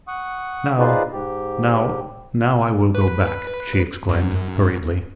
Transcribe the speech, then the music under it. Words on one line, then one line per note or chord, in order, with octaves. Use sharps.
"Now--now--now I will go back," she exclaimed, hurriedly.
F#5 C#6 D#6
D#4 F4 G#4 B4 C5 D5
G#2 G4
B4
F#2